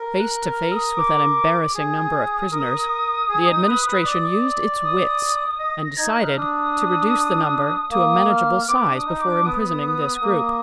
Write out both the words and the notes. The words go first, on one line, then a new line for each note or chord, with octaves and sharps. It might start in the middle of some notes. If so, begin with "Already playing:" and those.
Face to face with an embarrassing number of prisoners the Administration used its wits and decided to reduce the number to a manageable size before imprisoning this group.
Already playing: A#4
F#6
F6
D#6
D6
G#4 D#6
A#4
G#4
D#4
B4
B4
D5
D#6
D#5
A#6
D#4 G#6
F#6
D#4
F6
D4 D#6
A#3 D#6
F6
B3 D6
D4
D#6
D#4
D6
D4
B3 D#6
A#3